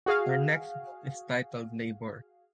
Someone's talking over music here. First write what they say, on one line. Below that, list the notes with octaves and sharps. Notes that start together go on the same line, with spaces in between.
Our next book is titled "Labor".
F#4 G#4 F5